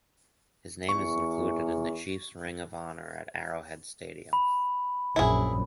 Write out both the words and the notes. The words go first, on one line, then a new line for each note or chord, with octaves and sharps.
His name is included in the Chiefs' ring of honor at Arrowhead Stadium.
E2 C#6
B5
A#1 F#2 E4 G#4